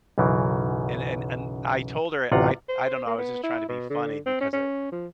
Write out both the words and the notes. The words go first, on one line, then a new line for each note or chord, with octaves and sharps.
And and and I told her I I don't know, I was just trying to be funny because it
B1 F#2 C#3 E3
A1 D2 C3 F4 F#5 A#5
C5
A#3
B3
E4
B2
D3
C4
C#4
C#4
F3